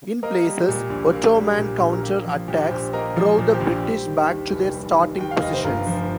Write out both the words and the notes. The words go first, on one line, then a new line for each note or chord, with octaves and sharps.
In places, Ottoman counter-attacks drove the British back to their starting positions.
A#3 A#4 D#5
G3
A#2
A#1
A#3
G3
A#2
A#1
A#4
A#3 G4
F3
A#2 G4
A#1 G4 C5
A#3 A#4 D#5
F3
A#2
G4 C5
A#1
G3
D#3
D#2
F1
G3
D#3
D#2 G5
F5
F1 D#5
C5
G1 F4 A#4
F3